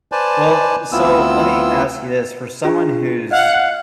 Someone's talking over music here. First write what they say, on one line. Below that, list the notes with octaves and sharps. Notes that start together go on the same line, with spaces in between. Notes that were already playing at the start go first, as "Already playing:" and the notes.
Well, uh, so, let me ask you this. For someone who's
B4 C5 D5 G#5 A5
D2 B3 C4 E4 F4 E6
D4 F4 G#4
D#5 F5 F#5